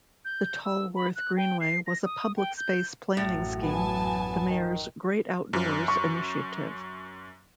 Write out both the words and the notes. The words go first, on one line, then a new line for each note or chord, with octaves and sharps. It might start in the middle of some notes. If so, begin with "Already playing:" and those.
The Tolworth Greenway was a public space planning scheme, the Mayor's "Great Outdoors" initiative.
G6
E6
B5
F#6
G5
C7
A#6
D#6
G5
G6
A1 F#2 A2 F#3
B3 G#5 A5
D#3
F#2
C#6